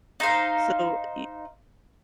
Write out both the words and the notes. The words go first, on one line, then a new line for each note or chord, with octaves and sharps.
So, y
D#4 C5 F5